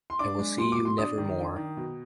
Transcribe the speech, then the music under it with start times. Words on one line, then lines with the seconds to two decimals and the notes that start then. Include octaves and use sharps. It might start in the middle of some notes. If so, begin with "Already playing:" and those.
I will see you never more.
0.10 C6
0.19 D4 D6
0.39 G#3
0.58 B2 C6
0.72 D6
0.78 B2
0.85 C6
0.98 D4 D#6
1.18 D#3
1.38 D4
1.56 D#3
1.77 B2